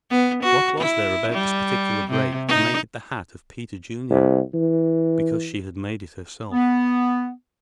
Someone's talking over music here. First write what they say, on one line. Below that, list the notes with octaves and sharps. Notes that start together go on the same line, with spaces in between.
What was there about this particular break to make it the hat of Peter Junior? Because she had made it herself.
B3
F#4
E4
G3
C3
D#4
C2
E3
B3